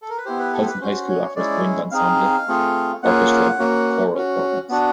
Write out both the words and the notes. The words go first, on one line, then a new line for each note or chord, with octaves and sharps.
Hudson High school offers wind ensemble, orchestral, and choral programs.
A4
A#4
B4
B3 E4 G4 C5
B4
A4
C5
B4
C#4 F#4 C5
C#5
G#3 C#4 E4 D5
C4 D#4 G#4 F5
A3 C4 F4 G#4
A#3 C#4 F4 G#4 F#5
A#3 C#4 F#4
C#4 F#4
B3 D4 F#4